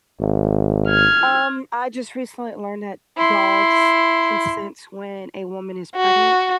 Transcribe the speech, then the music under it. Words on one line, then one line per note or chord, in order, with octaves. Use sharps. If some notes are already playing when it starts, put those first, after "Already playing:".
Um, I just recently learned that dogs can sense when a woman is pregnant.
G#1
F6 G#6
E4 C6
F#4